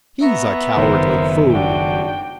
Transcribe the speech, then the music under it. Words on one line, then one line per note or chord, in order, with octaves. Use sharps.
"He's a cowardly fool!"
B3 E5 A#5 C#6
F#1 D#3 A#4 C5
D4 F#4 G5